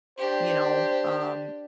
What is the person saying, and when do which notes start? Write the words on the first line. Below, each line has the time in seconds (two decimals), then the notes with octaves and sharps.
you know, um,
0.18 D4 G4 C5